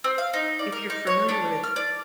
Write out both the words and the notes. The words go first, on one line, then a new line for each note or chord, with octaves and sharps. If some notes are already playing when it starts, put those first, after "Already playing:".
If you're familiar with
C4
F5
D#4
D5
A#4
D#4
C#5
D4
F6
D5